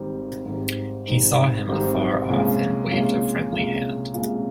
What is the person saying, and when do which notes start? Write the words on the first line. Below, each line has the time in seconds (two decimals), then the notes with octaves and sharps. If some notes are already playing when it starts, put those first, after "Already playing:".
He saw him afar off and waved a friendly hand.
Already playing: G#1 G#2 G3 C4 D#4
0.45 G#1 G#2 G3 C4 D#4
1.07 G#1 G#2 G3 C4 D#4
1.69 G#1 G#2 G3 C4 D#4
2.29 C2 A#2 G#3 C#4 F4
2.91 C2 A#2 G#3 C#4 F4
3.52 C2 A#2 G#3 C#4 F4
4.14 C2 A#2 G#3 C#4 F4